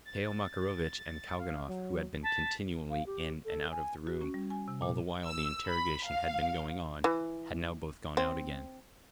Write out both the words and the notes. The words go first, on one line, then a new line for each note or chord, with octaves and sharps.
Mihail Makarovitch and Kalganov, who had been continually in and out of the room all the while the interrogation had been going on, had now both gone out again.
A6
F5
F#3
A5 B6
F5
G4
A4
G#5
F#4
C#4
G3
G#5
C3
A#2
E6
B5
F5
E3
C4